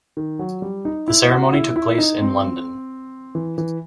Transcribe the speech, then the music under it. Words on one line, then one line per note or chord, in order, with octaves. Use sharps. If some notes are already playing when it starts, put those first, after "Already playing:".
The ceremony took place in London.
D#3
F#3
G3
D#4
E4
F#4
E4
E4
D#4
C4
E3
E3